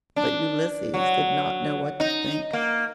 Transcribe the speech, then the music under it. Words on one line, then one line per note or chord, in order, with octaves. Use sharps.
But Ulysses did not know what to think.
D4
F#3
D#4
A#3